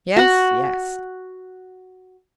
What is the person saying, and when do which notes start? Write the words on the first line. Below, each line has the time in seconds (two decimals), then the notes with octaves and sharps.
"Yes, yes."
0.17 F#4 F#5